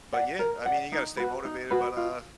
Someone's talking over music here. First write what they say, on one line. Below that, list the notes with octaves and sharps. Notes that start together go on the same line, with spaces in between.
But yeah, I mean, you gotta stay motivated, but, uh,
D5 F#5
A#4
D5 F#5
D#4
F#4 B4
D#4
F#4 B4
F4